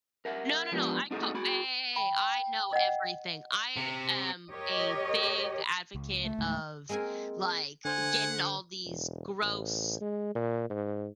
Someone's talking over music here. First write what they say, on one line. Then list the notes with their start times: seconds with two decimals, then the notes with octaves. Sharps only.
No, no, no, I tot hey, hey, hey, hey, I know everything, I am a big advocate of, like, getting all these gross
0.25 A#4 E5 F#5
0.72 F3 G#3 B3 D4 F4 G4
1.11 A3 C4 D#4 F#4 G#4 A4
1.35 F#4 G#4 B5
1.96 G5 B5
2.73 D#5 F#5
3.77 C3
4.51 G4 A#4 C#5 D#5
5.95 C#2
6.23 A3
6.39 C#2 G#2
6.89 G#3 A#3 C4 A#4 G#5
7.85 D3 C5 F#5 G#5 G6
8.85 E1
9.42 A1
10.01 G#3
10.35 A#2
10.70 G#2